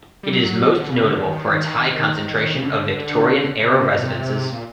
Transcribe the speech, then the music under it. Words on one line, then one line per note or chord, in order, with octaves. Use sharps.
It is most notable for its high concentration of Victorian era residences.
G3
F#3
D3
C#3
D3
D#3
D#3
C#3
D3
C#3
B2
C3
A#2